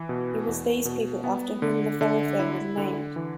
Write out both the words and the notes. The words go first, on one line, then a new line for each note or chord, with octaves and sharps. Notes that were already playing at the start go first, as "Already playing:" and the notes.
It was these people after whom the thoroughfare was named.
Already playing: E3
B2
E2
B2
B3
D3
D3
E4
D3
E3